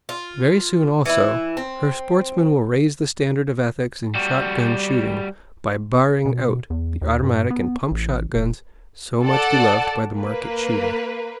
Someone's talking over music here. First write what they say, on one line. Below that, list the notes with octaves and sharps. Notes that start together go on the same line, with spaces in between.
Very soon, also, her sportsmen will raise the standard of ethics in shotgun shooting, by barring out the automatic and pump shotguns so much beloved by the market shooters.
F4
E3 E4
C4
G3 F#4
B2
E2
D#2
G2
B3
A1
E1
A4 D5 F#5 A5
A#3 B4